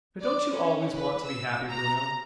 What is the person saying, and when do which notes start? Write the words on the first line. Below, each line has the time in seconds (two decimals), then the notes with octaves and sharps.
"But don't you always want to be happy, Bruno?"
0.22 D5
0.53 C#4
0.96 B4
1.26 E6
1.69 A#5